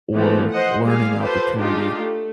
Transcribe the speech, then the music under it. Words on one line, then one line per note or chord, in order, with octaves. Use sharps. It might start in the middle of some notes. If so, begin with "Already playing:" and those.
or learning opportunity
E3 F3 A3 B3
C5 D#5 F#5
G3 G#3 A#3 G#4 F5
F4 G4 A4 B4 C5
G#3 D4 D#4 F4 G4
A3